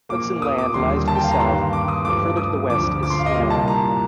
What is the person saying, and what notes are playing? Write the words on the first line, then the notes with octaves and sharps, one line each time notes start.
Hudson Land lies to the south and further to the west is Steno Land.
A#2 F3 A#3 D6
D#6
D6
D#2 D3 G3 A#3 C6
A5
G5
F5
A#5
G2 D#3 G3 A#3 C6
D6
D#6
G2 F3 A3 D6
D#6
D2 D3 F3 D6
D6
C6
F5
D#5
C2 A#2 G3 A#3 F5
A5
A#5